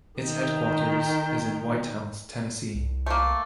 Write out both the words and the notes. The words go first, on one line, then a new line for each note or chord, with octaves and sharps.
Its headquarters is in White House, Tennessee.
D#3 G5
C2
A3 A#3